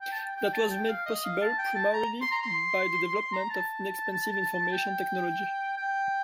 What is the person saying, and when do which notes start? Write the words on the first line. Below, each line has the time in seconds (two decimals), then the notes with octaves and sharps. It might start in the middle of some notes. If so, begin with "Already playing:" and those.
That was made possible primarily by the development of inexpensive information technology.
0.01 G5
0.12 A5
0.19 G5
0.36 G5
0.53 A5
0.71 G5
0.89 F5
1.06 D#5
1.24 F5
1.41 A5
1.58 G5
1.75 A5
1.93 A#5
2.21 C6
2.32 A#5
2.43 C6
3.15 C6
3.33 A#5
3.50 A5
4.73 G5
5.77 G5